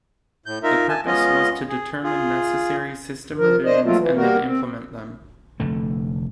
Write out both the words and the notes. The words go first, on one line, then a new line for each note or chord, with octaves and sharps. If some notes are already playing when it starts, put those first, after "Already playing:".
The purpose was to determine necessary system revisions and then implement them.
A2 G6
D#4 F4 A#4 E5
G#5 A5
G#3 B3 C#4 F4 D#5
G#4
F4 G#4
F3 A#4
D4 C5 D#5
F3 F#3 A3 A#3 C4 F4
E3
G3 A#3 F#4 A#4
C4
F1 D3 A3